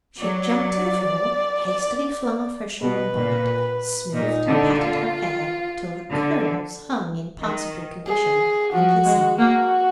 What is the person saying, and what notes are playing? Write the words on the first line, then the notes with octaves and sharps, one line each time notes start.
She jumped to the floor, hastily flung off her shawl and bonnet, smoothed and patted her hair till the curls hung in passable condition, and listened.
F#3 D5
B2 B4
A#2
A#2 D#4
D3
F4
D3
D#3
G#4
F3 F#4
G#3
A#3 F#4